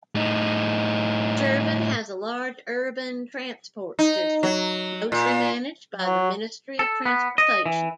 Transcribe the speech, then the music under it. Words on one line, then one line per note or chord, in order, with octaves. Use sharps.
Shirvan has a large urban transport system, mostly managed by the Ministry of Transportation.
A2 D#4
D#4
F#3
A#2
F#3
A4
B3
D#5
E3